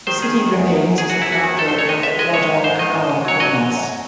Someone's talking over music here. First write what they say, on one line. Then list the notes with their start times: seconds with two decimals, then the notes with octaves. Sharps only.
The city remains as the capital of Guadalcanal Province.
0.07 D#3 C5
0.22 D#3 G#4
0.38 D#3
0.53 E2
0.68 F#2
0.83 F#2
0.98 F#2 G#4
1.10 F#2 F#4
1.22 E4
1.28 F#2 F#4
1.44 D#3
1.58 A3 A4
1.68 C5
1.74 A3 C#5
1.89 G#3 D#5
2.03 C#2 E5
2.19 G#3 D#5
2.34 D#3 C#5
2.49 G#2
2.64 G#2 C5
2.79 D#3 D#5
2.95 G#2
3.09 G#2
3.25 F#3 C#5
3.40 F#3 D#5
3.55 G#2
3.71 F#2